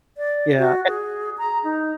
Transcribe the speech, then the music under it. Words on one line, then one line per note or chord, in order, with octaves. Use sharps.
Yeah, and
D5
F#4
G#4
A#5
D#4